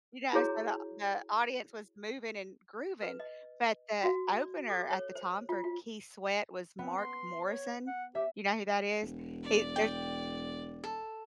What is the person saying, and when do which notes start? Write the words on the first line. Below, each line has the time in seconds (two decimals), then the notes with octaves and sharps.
You know? So the the audience was moving and grooving, but the opener at the time for Keith Sweat was Mark Morrison. You know who that is? He there's
0.33 E4 F#4 G#4 C#5 A#5
3.02 B4
3.20 D#5
4.03 F#4
4.36 D5
4.70 A4
4.91 C#5
5.15 C5
5.49 F4
5.64 F4
6.79 B3 C4
6.98 C6
7.46 C#5
7.87 F#5
8.15 G4 E5
9.02 E1
9.43 D5
9.76 G5
10.84 A4